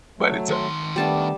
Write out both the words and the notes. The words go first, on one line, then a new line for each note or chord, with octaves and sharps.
But it's, uh
F#3 A3
D#3 C6
G3 A3 B3 D4 A5